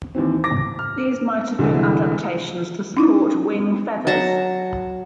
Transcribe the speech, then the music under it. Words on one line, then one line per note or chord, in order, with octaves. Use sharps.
These might have been adaptations to support wing feathers.
D#2 E3 C4
D6 A#6
F6
C2 D3 E3 G#3
C#4 D#4 E4
F#3 A5 A#5